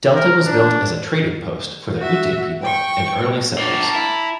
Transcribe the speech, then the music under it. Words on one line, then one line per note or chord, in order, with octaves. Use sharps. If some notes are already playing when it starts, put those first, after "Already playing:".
Delta was built as a trading post for the Ute people and early settlers.
A#4
D4
F#4 E5
G5 C#6
A#3 D4 A5 A#5
E4